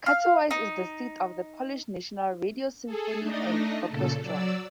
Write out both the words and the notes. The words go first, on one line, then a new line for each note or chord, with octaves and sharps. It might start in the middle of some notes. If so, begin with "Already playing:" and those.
Katowice is the seat of the Polish National Radio Symphony and Orchestra.
F5
D#4
G#4 A4
A3 D4 D#4 D#5
A#2 C#3 A4
F#3 D5 E6